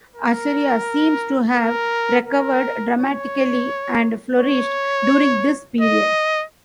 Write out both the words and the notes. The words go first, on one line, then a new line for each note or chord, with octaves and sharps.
Assyria seems to have recovered dramatically, and flourished during this period.
A#4
A#4
A#4
C#5
C#5
D#5